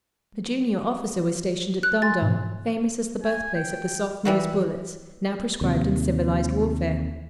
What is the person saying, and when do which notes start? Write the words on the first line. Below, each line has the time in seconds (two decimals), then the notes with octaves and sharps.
The junior officer was stationed at Dum Dum, famous as the birthplace of the soft-nosed bullets, now proscribed in civilized warfare.
1.83 F#6
2.02 G#5 C6 A6
2.21 G#2 B2
3.24 G#5
3.55 G5
4.25 E3 G3 F#4 E5
5.61 D#2 C3